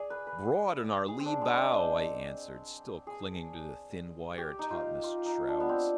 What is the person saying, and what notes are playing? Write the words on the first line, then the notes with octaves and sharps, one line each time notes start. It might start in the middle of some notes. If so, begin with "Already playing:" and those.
"Broad on our lee-bow," I answered, still clinging to the thin wire topmast shrouds.
Already playing: G#4 D5
B4
B4
G#4
C4
D4
G#3
C4
D4
G#4
G4
D#4
F4
F4
D#4
D4
B3
C4